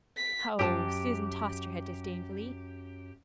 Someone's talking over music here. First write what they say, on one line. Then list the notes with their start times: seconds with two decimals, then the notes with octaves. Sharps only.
"Ho!" Susan tossed her head disdainfully.
0.17 B6
0.59 F#2 G4 G#4 A5